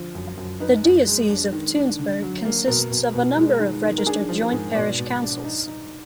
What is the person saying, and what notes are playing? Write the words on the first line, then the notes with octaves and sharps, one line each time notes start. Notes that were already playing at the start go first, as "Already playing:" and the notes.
The Diocese of Tunsberg consists of a number of registered Joint Parish Councils.
Already playing: D3 F3
F#2
F#2
D#4 B4
F#2
G#3
D4
D#3
D4
D3
F#3
A#3
B2 A#4
B2
B2
G#3
D#3
D#3
A#4
D4 G#4
F3
A#4
G#2
B2 D5
B2
D4
D#4
D#4